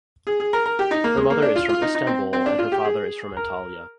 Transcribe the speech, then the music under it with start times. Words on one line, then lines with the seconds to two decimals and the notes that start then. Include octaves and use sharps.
Her mother is from Istanbul and her father is from Antalya.
0.27 G#4
0.40 G#4
0.53 A#4
0.66 A#4
0.79 G4
0.91 D#4
1.04 A#3
1.17 G#3
1.30 A#3
1.42 D4
1.55 F4
1.69 F4
1.82 D#4
1.95 D#4
2.07 C4
2.33 C4
2.46 D4
2.59 F4
2.72 G4
2.84 G#4
3.37 A#4